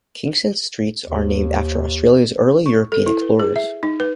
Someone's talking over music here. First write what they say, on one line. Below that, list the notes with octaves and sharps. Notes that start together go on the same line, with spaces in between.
Kingston's streets are named after Australia's early European explorers.
D#2
C#6
A4
E4
B4
G#4
E5
D#4
B4